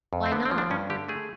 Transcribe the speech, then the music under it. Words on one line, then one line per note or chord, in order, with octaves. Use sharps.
"Why not?"
F2
C4
D3 B3
C4
F3
D4
G2 C#4
D3 G4
A3 G#4